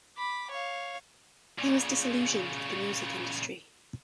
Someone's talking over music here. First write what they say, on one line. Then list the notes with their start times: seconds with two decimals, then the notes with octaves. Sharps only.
He was disillusioned with the music industry.
0.18 B5 D6
0.51 C#5 F5
1.59 A#2 C#3